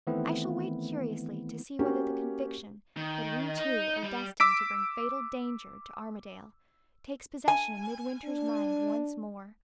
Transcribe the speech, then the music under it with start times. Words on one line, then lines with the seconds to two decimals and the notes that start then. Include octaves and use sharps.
I shall wait curiously to see whether the conviction that we two are destined to bring fatal danger to Armadale takes possession of Midwinter's mind once more.
0.07 D#3 E3 A3 B3 C4 E4
1.79 A#3 C#4 F#4 G4
2.97 D#3
3.57 D#4
4.03 G3
4.40 D6 E6 B6 D7
7.48 G#5
8.25 D4